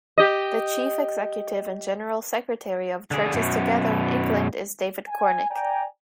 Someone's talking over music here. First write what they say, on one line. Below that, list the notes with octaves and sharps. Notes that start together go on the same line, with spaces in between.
The chief executive and general secretary of Churches Together in England is David Cornick.
G4 D#5
D3 G#4
F#2 B2
G#5
D5 G5 G#5 A#5